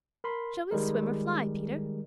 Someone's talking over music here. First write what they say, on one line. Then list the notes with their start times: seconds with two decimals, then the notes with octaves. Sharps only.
"Shall we swim or fly, Peter?"
0.24 A#4 B5 C6
0.71 D#3 G3 G#3 A#4